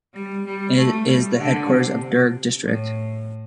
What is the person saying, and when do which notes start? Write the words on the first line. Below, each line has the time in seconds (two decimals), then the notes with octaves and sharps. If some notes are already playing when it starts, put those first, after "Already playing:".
It is the headquarters of Durg District.
0.14 G3
0.45 G3
0.76 A3
1.08 G3
1.38 D3
1.69 C3
2.63 A2